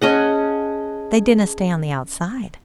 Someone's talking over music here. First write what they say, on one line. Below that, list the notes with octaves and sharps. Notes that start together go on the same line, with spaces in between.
They dinna stay on the outside.
C#4 G#4 D#5 F#5 A5 G#6